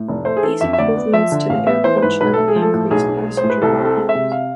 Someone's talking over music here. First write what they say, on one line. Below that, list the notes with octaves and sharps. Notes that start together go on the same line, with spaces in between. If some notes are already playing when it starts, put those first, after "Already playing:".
These improvements to the airport sharply increased passenger volumes.
Already playing: A2
F1
A3 C5
G#4
E3 A4
F2 E5
E5
D2 D5
B3
F3 E5
D3
A1 F5
B3 E5
E3 C5
C5
G#2 B4
B1 B4
A3 A4
G#4
F3
A4
A2
B1 G#4
B1
G#3
C5
A2
B4
C2 A4
C4
A4
G#3
E5
C3
F5